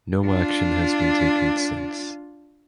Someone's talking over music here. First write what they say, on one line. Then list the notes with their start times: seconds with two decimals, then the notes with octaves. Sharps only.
No action has been taken since.
0.25 D4 F4